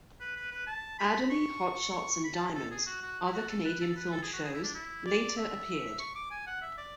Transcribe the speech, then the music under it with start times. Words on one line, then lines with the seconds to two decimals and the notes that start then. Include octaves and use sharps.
"Adderly", "Hot Shots" and "Diamonds", other Canadian-filmed shows, later appeared.
0.20 B4
0.36 B4
0.52 B4
0.67 A5
0.99 B5
1.30 C#6
1.93 C#6
2.24 B5
2.35 A5
2.55 A4
2.71 G#4
2.87 F#4
3.02 F#4
3.26 E4
3.34 F#4
3.49 A4
3.65 B4
3.81 A4
3.96 B4
4.12 A4
4.23 G#4
4.33 F#4
4.44 G#4
4.53 E4
4.64 D4
4.75 E4
5.06 D5
5.37 E5
6.00 C#6
6.16 D6
6.31 G#5
6.47 F#5
6.62 E5
6.78 D5